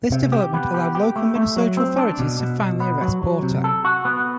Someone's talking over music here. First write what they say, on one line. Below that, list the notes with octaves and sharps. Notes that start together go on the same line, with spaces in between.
This development allowed local Minnesota authorities to finally arrest Porter.
C3
G4
B3
G4
G4
A3
A3
F#3
C4
D4
B2
B2
B2
B3
F#3
F#3
C3
A4
F#4
B3